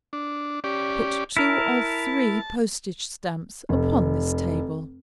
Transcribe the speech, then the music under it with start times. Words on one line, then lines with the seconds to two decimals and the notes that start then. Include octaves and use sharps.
Put two or three postage stamps upon this table.
0.13 D4
0.64 C#4 G4 D5
1.37 E4 A#4 A5
3.69 F1